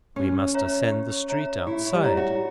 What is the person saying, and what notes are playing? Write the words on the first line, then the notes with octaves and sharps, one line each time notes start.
We must ascend the street outside.
C#4 G4
C#5 E5 A#5
G4
C#5 E5 A#5
E4 G4
G3
C#5 E5 A#5
F#4